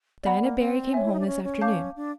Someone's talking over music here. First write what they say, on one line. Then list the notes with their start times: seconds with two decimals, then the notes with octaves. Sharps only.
Diana Barry came home this afternoon.
0.23 B3 D5 F#5 B5
0.41 A#3
0.58 C4
0.93 C#5 E5 G#5
1.05 E4
1.13 D#4
1.19 D4
1.27 C#4
1.44 C#4
1.61 F5 A5 D6 G6
1.96 D4